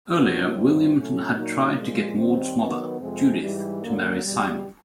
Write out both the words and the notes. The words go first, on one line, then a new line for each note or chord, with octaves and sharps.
Earlier, William had tried to get Maud's mother, Judith, to marry Simon.
B2 F#3 A#3 D4 F4
G2 D3 G3 C4 E4
A2 F#3 A3 C#4
A#2 F#3 A#3 D#4 F#4
A#2 F3 G#3
D#2 D#3 G3 C4
D#3 F#3 B3
F2 C3 F3 G#3 C4
G#2 E3 G3
D#2 D3 F#3 A#3
E2 B2 G3